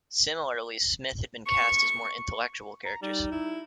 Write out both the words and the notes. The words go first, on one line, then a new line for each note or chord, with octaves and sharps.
Similarly, Smith had been cast as more intellectual characters.
C#6
A#5
G3 D#4
E4